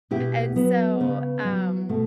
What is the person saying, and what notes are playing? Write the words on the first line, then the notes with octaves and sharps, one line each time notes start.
And so, um,
B2 E4 G4
F#3 B3
C#3 B3
F#3
B2 A3